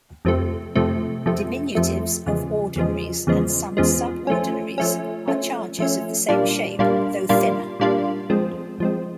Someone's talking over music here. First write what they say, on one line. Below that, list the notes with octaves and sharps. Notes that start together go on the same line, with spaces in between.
Diminutives of ordinaries and some subordinaries are charges of the same shape, though thinner.
F2 C3 F3 A3
F2 C3 F3 A3
F2 C3 F3 A3
F2 C3 F3 A3
E2 C#3 F3 G#3
E2 C#3 F3 G#3
E2 C#3 F3 G#3
E2 C#3 F3 G#3
F3 A3 C#4
F3 A3 C#4
F3 A3 C#4
F3 A3 C#4
A#2 G3 A#3 D4 F4
A#2 G3 A#3 D4 F4
A#2 G3 A#3 D4 F4
A#2 G3 A#3 D4 F4
F3 G#3 C4
F3 G#3 C4